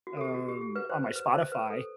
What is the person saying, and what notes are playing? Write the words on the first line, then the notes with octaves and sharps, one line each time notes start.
um, on my Spotify,
F#4
A4
G4
F#4
G4
G4
B4
C5
B4
B4
C5
B4
A4